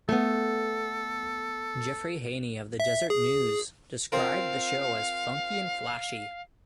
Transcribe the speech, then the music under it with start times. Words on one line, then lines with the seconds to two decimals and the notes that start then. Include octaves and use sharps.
Jeffrey Haney of the "Deseret News" described the show as "funky and flashy".
0.09 A3 B3 A4
2.80 E5
3.10 G#4
4.12 C4 F4 A#4 F5